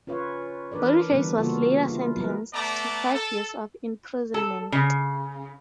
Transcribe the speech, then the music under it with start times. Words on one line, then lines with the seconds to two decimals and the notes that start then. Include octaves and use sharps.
Boniface was later sentenced to five years of imprisonment.
0.07 C#4 F4 B4 C#5 F5
0.72 E3 D4 A#4 B4 D5
1.10 D3 E3 G3 B3 D4
1.37 C#3 G3 A#3 F4 F#4 A4
1.87 E4 F4
2.17 F#3 G3 B3 E4 A#4 B4
2.53 A3 B3 D5 A5 A#5 D6
3.14 A4
4.34 A4
4.72 C#3